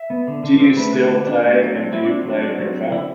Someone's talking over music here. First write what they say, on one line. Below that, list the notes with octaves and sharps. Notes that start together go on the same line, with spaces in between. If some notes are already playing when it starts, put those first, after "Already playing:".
Do you still play, and do you play on your phone?
Already playing: E5
B3
D3
D3
C4 C5
A3 B4
D3 B4
D3
C4 D4
A3
F#3
C4
F#3 E4
C4 D4
F#3 D4
C4
F#3
C4
D3 E4